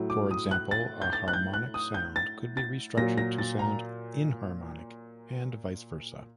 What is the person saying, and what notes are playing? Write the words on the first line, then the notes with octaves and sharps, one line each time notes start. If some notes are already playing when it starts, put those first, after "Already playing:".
For example, a harmonic sound could be restructured to sound inharmonic, and vice versa.
Already playing: A2 F#3
D6
D#6
F#6
A6
G6
A6
F#6
G6
F#6
D#6
G6
A6
A6
A#2 F#3 A#6
A#6
A6
A#5